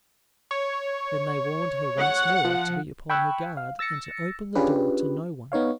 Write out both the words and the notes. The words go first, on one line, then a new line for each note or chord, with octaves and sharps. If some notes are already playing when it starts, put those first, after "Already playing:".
Then they warned her once more to be upon her guard and to open the door to no one.
C#5
F#5
F3
G5 B5 C#6 E6 F#6 G#6
F5
E6 A6 A#6 C#7
C#4 D4 F4 G4 G#4 B4
B3 D#4 C#5 F5